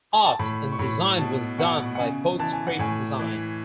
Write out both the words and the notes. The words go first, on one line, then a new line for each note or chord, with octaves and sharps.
Art and design was done by PostScript Design.
G#5
A5
A2 B5
C#6
A2 B5
B2 A5
B2 F#5
F#5
C#3 G#5
E3 A5
G#5
F#5
A2 G#5
E3